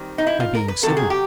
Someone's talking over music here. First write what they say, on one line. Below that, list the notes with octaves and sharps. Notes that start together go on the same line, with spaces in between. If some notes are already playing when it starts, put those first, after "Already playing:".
By being civil.
Already playing: D#3 G3 C4
D#4
E4
F4
A#4
B4
C3 D#3 F#3 A4
G#4
G4